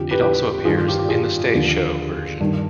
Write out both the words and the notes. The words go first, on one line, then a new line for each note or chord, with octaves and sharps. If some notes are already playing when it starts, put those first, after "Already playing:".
It also appears in the stage show version.
Already playing: F2 D3 F3 G4
G4 B4
G4 B4
G2 D#3 F4 G#4
F4
G4
G4
F4 G#4
D#2 D3 F3
G2 D#3